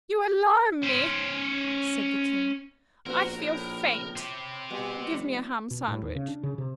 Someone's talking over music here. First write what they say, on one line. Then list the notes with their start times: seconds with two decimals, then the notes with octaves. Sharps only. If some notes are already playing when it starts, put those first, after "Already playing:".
'You alarm me!' said the King. 'I feel faint--Give me a ham sandwich!'
0.83 C#4 C5
3.06 A#1 B3 F#4 A#4
3.38 A2
4.16 C4 G4
4.70 B2 G3
5.10 F1
5.25 F1
5.71 B2
5.88 A2
6.02 D#2
6.15 C#3
6.28 D4
6.43 C#3
6.58 C3